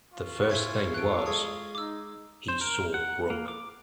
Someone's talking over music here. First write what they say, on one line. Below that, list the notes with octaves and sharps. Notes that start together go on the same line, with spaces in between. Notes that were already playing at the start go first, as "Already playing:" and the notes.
The first thing was — he saw Brooke.
F4 C#6
E4 G#5 B5
A4 F#6 D7
G#3 D#6
D#4 D6 E6
C5
A#4
F#5
A#3
D6